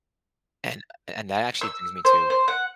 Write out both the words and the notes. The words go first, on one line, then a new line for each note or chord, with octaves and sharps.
and and that actually brings me to
E6
C5
C5
F#5